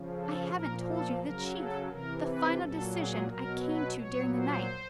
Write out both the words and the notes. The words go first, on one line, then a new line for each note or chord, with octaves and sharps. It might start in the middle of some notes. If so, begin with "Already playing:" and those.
I haven't told you the chief, the final decision I came to during the night.
Already playing: C#3 F3
A4
A#2 F3 A#4
A4
C#3 F#3 A#4
A4
C3 E3 A#4
B4
A#2 F#3 A4
G#4
B2 F#3 A#4
B4
A#2 F#3 C#5
C5